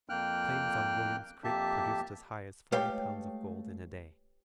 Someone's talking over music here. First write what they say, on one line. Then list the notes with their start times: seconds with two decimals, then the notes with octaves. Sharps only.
Claims on William's Creek produced as high as forty pounds of gold in a day.
0.09 F2 A#3 G5 F6 F#6
1.44 F2 A#3 G4 E5 A5
2.72 G#3 A3 G4 B4 C#5 F5 G5